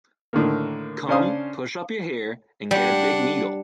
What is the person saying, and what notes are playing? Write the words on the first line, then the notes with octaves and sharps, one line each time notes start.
Come, push up your hair and get a big needle.
A2 D3 D#3 A#3
C#3 C#4 D4 C5 F5 D#6
G3 D4 F#5